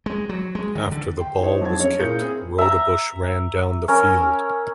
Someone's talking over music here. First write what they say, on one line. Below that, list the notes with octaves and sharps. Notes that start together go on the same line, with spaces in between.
After the ball was kicked, Roudebush ran down the field.
G#3
F#3
G#3
D#3
D3
G5 C6
D#4 E4 C5 C#5 D#5
F2 F#3 C4 A5 G#6
C#4 C#5
A#2 E4 G#4 A#4 G6 C#7
C4 E4 G#4
E5 A#5
C#4 A#4